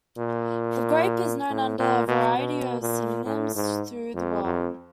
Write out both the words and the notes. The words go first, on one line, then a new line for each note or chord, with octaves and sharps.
The grape is known under a variety of synonyms through the world.
A#2
A2
A#2
B2
B2
A#2
A2
G#2
F2
F2